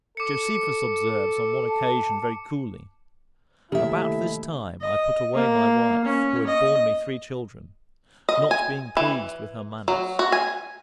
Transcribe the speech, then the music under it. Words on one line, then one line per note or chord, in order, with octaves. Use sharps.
Josephus observes, on one occasion, very coolly,--"About this time I put away my wife, who had borne me three children, not being pleased with her manners."
A4 D6 C#7
A5
D#2 C3 A3 D4 E4 G4 E5
D#5
A#3
C#4
D#5
D#5
G#5
E3
F#3
F#4
G#5